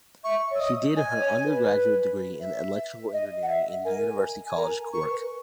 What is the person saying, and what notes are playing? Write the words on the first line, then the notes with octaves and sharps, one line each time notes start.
She did her undergraduate degree in electrical engineering in University College Cork.
E5 C#6
C#5 E6
D#5 D#6
D#5 G#5
C#5
B4
E5
D#5
F#5
E5
A#4 G#5
G#5
A#4 A#5
A#4 C#6
B4